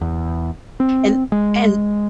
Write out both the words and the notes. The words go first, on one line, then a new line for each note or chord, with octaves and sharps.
and and
E2
C4
G#3